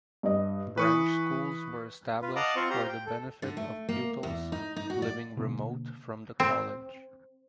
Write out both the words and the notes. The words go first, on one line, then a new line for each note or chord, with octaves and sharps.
Branch schools were established for the benefit of pupils living remote from the college.
G2 D#5
E3 B4 C#6 D#6
F4 B4
D#5 F5 F#5 A5 A#5 D6
C4 F4 C5 C#6
F4 G4 C5 A#5
G5
A4
D3
A3
A#3
E2
D#4
D#4
F#4
D5
B2 D3 A#3
C4